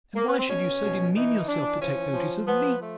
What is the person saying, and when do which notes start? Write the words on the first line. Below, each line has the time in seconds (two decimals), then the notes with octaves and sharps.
And why should you so demean yourself to take notice of me?
0.16 A#3
0.27 B3
0.37 C4
0.48 B2 C#4
0.81 B2
1.14 E3 D#4
1.47 E3 D4
1.80 F3 C#4
2.12 F3
2.46 F3 B3
2.79 F3 A3